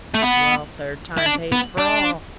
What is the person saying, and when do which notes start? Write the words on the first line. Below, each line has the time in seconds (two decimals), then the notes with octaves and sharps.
'Well, third time pays for all.
0.15 A3
0.23 B3
1.18 E4
1.26 D4
1.52 B3
1.78 D4